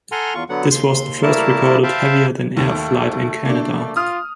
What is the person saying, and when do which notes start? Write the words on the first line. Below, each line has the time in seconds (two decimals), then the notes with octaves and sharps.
This was the first recorded heavier-than-air flight in Canada.
0.12 A4 F#5 G#5 A#5 C6 F6
0.35 E2 F4 C#6
0.49 D3 F#3 B3 F#5
0.71 D#2 C6
1.23 G3 A3 A#3 E4 A#4 A5
1.83 C5 E5 F5 G5 A5 B5
2.57 D#2 A3
3.45 A#3 D4
3.96 F4 D#6 F6